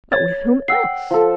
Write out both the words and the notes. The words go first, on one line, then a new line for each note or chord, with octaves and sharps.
"But with whom else?"
C#5 G#6 A6
F#5 G5 E6 C7
F3 A4